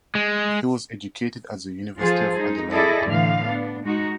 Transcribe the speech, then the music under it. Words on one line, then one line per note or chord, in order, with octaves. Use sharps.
He was educated at The University of Adelaide.
G#3
F3 F4 G#4 A4 C5
G#3 D#4
E4 G#4 A4 D5 D#5
A2 D3 E3 F5
B3 D4
G#3 D#4 F#4